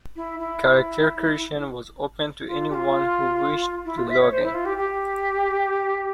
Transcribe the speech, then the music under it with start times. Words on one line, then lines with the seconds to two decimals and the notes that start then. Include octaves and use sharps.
Character creation was open to anyone who wished to log-in.
0.16 E4
0.39 E4
2.47 F4
2.70 G4
2.74 F4
3.85 E4
3.97 F4
4.09 E5
4.20 C#5
4.32 C5
4.43 E4
4.54 F4
4.65 G4
4.78 G4